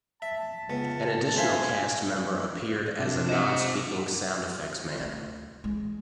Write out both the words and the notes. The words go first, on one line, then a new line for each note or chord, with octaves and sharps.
An additional cast member appeared as a non-speaking sound effects man.
E5 A5
C#2 B3
C5 E5 F5 G#5
C3 D4
C5 D#5 F#5
D2
E3 G#3